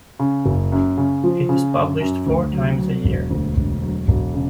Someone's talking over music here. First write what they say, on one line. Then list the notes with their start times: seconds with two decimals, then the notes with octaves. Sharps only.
It is published four times a year.
0.19 C#3
0.46 F#1
0.72 F#2
0.97 C#3
1.24 F3
1.49 C#3
1.75 F#2
2.01 F#2
2.27 D2
2.52 F#3
2.78 F#3
3.04 E1
3.31 D2
3.56 E1
3.82 F#3
4.08 E1
4.34 C#3